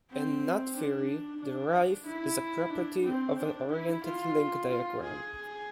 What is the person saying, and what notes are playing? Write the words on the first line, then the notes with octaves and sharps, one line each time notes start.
In knot theory, the "writhe" is a property of an oriented link diagram.
C4
D4
D4
E4
D4
C4
D4
E4
F4
F4
G#4